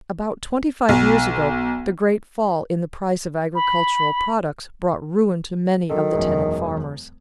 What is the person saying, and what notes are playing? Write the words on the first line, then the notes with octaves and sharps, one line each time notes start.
About twenty-five years ago, the great fall in the price of agricultural products brought ruin to many of the tenant farmers.
B1
B5
D#3 F#3 A4
E1 F#2 G#4